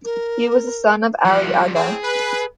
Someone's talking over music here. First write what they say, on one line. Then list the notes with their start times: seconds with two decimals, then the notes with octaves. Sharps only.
He was the son of Ali Aga.
0.05 A#4
1.25 E3 F3 G3 F#5
1.75 A2 C4 G#4
2.03 B4